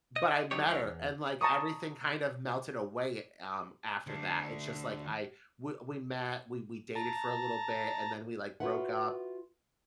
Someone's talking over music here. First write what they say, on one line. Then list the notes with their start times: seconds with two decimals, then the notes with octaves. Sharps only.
but I met her and, like, everything kind of melted away, um, after that, it's just like I we we met, we we dated for a little bit, and then we, like, broke up
0.16 D#5
0.51 F#3 B3 D4 D#4 G4 C#5
0.66 C#2 F3 B3 E4 C#5 F5
0.83 E2
1.41 A5 A#5 C#6 D#6
4.07 D2 D4
6.95 A5 A#5
8.60 F4 F#4 B4 E5 F#5